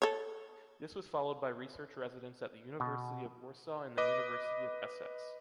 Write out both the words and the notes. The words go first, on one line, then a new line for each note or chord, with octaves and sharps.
This was followed by research residence at the University of Warsaw and the University of Essex.
A4 C#5
B2
B4 D#5 D6